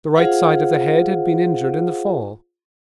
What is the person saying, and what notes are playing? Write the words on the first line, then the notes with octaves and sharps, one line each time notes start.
The right side of the head had been injured in the fall.
F4 G#4 C5 F5 F#5